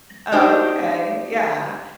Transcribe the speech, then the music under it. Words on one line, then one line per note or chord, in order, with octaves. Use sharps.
Oh, okay. Yeah,
D4 D#4 G4 C5